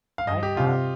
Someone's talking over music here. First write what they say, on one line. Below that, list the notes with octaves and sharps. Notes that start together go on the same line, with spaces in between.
I have
F5
G2 D#5
G4
C3 F4